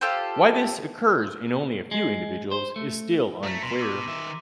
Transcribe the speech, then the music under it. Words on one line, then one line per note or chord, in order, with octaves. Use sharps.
Why this occurs in only a few individuals is still unclear.
F4 G4 A4 C5
G#3
C5
A3
A3 A#5 A#6 B6
B2 C6
D6 E6 D#7
D#3 E5